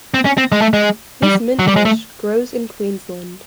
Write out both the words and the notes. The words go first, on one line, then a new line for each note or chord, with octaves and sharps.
This mint bush grows in Queensland.
C4
C#4
C4
G#3
A3
G#3
G3
F#3
G3
G#3
A3